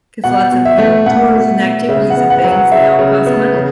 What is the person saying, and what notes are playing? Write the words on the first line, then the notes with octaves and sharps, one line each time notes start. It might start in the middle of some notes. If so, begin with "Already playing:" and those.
'Cause lots of, you know, tourism activities and things, they all cost money.
B2 F#5
B2
E5
A3
A3 F#5
B2
B2
C#3 E5
F#5
B3
F#5
F#3
F#5
C#3 E5
C#3
B3
C#3